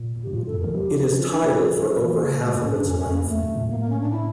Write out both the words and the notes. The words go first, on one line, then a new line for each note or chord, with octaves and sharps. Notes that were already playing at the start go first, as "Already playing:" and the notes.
It is tidal for over half of its length.
Already playing: A#2
G2 G4
A2 F4
G2 A4
F2
E3 A#4
F3 G4
F4
D4
A#3
C#4
E3 A#3
A#3
C#3
A#2 A3
G2 A#3
A2 C#4
G2 D4
F2 C#4
C#4
F2
A#3
E2 A3
G2
A#2
A2 A#3
A#3
C#4
D4
E4